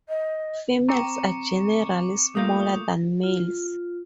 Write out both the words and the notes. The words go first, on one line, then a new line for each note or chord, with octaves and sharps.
Females are generally smaller than males.
D#5
C4 A#5 C#6 D6 C#7
A3 A#3 F4 D#6 G6
F4